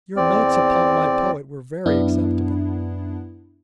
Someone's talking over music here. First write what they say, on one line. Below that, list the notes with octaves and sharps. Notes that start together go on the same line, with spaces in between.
'Your notes upon my poet were very acceptable.
E2 C4 D5
F#2 B3 D4 E4